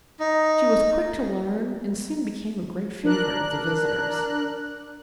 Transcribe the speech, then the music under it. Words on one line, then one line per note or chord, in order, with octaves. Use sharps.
She was quick to learn and soon became a great favorite with the visitors.
D#4
D4 A#4 F#6